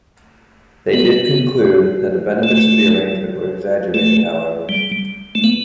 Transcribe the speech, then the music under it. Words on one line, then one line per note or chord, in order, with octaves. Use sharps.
They did conclude that the benefits of the arrangement were exaggerated, however.
B3
A3
A3
G3
A3
B3